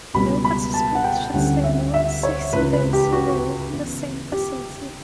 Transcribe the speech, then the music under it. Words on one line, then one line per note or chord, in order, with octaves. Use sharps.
No participant should stay more than sixteen days in a row in the same facility.
C#2 B2 G3 B5
B5
A5
F#5
G5
D2 D3 G3 C#4 E4 F#5
E5
E5
C#5
C#2 C#3 E3 B4
B4
G4
F#4
F#4
C#3 E3 B3 E4
G4